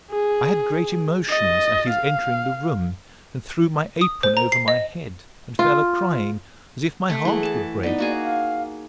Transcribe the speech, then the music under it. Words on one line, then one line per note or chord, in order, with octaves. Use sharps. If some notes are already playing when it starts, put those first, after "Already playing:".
I had great emotions at his entering the room, and threw my apron over my head, and fell a crying, as if my heart would break.
G#4
D#5 A6
F5
D#6
C5
A#5
C7
D#5
F4
A3
E3 G#4 F#5
A5
B3 D#4 D5
A#3 F#4 G#4
F5